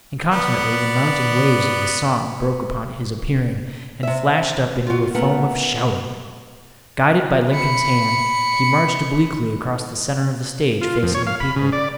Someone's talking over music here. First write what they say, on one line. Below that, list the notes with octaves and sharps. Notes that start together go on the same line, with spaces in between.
Incontinently the mounting waves of the song broke upon his appearing, and flashed up into a foam of shouting. Guided by Lincoln's hand he marched obliquely across the centre of the stage facing the people.
B3 D5
C3 E5
F4 F#4
A3 B3 A#4 F#5
B5 C#7
F4
F2
C#5
F5
B5
C#3
D5